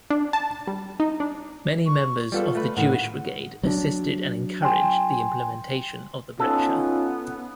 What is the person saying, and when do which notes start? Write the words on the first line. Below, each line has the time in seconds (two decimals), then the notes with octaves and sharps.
Many members of the Jewish Brigade assisted and encouraged the implementation of the Bricha.
0.10 D4
0.33 A5
0.67 G3
1.00 D#4
1.20 D4
1.86 C#6
2.32 G3 B3 F4 A4
2.55 A3 B4
2.77 A2 D#3 F#5
3.63 F#3 C#4 D4
4.62 G5 G#5 C6
6.40 B3 C#4 D#4 F4 A4